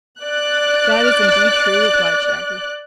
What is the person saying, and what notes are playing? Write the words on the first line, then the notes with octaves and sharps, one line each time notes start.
"That is indeed true," replied Shaggy.
D5 F#6